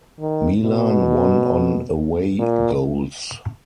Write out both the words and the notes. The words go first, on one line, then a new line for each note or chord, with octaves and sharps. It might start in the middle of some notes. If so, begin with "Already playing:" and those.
Milan won on away goals.
D#3
B2
A#2